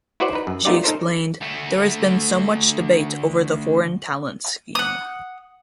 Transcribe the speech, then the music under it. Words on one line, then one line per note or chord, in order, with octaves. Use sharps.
She explained: There has been so much debate over the foreign talent scheme.
E4 F#4 B4 C5 D5 F#5
D#4 B4
F#2
A3 B3 D#4 F4 G4 D5
D#4 A4 A#4 C5
D2 A3
F#5 D#6